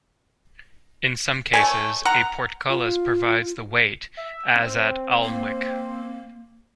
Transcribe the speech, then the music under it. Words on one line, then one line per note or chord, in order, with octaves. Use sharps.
In some cases, a portcullis provides the weight, as at Alnwick.
A3 C#5 G#5
F#5 A#5
F4
E5
C4
A#3